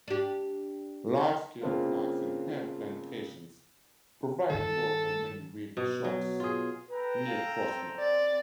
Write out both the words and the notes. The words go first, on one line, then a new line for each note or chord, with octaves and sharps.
Large-scale flax and hemp plantations provided work for many weaving shops near Krosno.
D4 G4
C#3 A#3 C4 D4 F4
G2 D#3 A4
B2
F#3
F4 G#4
A4 B4 G5 A#5
F5
C4
D5